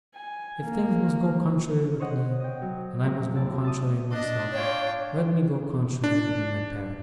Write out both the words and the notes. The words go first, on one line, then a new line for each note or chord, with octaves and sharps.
If thinks must go contrary with me, and I must go contrary myself, let me go contrary in my parish.
G#5
A#3
C5 C#5 D#5 F#5
D#5 G5
F#3
F2 F3 F#3 A3 A#5
D#2 E4 D5 A5
E5 A5 D6 D#6
D4 D#5
F4 C#5 G5
D4